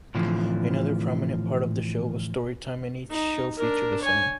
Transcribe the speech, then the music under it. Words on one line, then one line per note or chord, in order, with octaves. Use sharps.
Another prominent part of the show was story-time and each show featured a song.
A2 D3 E3 F3
D#4
D4 A#4
C#5 G#5